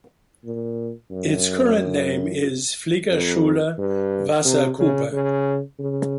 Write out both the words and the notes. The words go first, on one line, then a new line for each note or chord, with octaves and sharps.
Its current name is "Fliegerschule Wasserkuppe".
A#2
F#2
F2
G2
C3
C#3
C#3
C#3